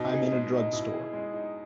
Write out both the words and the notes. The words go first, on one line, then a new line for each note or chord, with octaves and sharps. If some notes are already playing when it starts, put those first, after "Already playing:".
I'm in a drugstore.
Already playing: B2 D#4
G#4
G#3
D#4
B2 E4
G#4
G#3
D#4